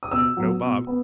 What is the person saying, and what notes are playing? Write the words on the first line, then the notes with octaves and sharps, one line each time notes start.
No Bob.
D#6
B2 E6
F#3 B3
B2
B3